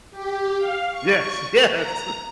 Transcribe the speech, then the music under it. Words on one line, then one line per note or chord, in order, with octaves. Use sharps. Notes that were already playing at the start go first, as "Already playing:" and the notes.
Yes, yes!
G4
F5
C#6
A#5